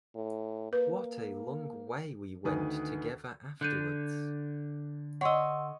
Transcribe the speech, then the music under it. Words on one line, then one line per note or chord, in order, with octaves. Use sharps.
What a long way we went together afterwards.
A2
A#3 B4
D2 D#3 B4 G#5 D#6
D3 F#6 G6 D#7
C#5 D#5 F#5 C6 E6